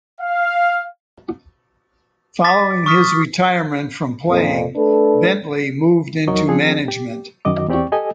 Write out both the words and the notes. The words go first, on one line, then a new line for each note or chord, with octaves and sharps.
Following his retirement from playing, Bentley moved into management.
F5
D6 A6 B6
C#6 D#6 F6 B6
F2 A#2
A3 D4 A4 B4
E2 F#3 D#4 A#4 D#5 C#6
F3 C4 D4 G#4
G4
F#2 D#3 F#4 D#5 D6
E2 C4 G4 D5 G5 C#6
G4 A4 D#5 G#5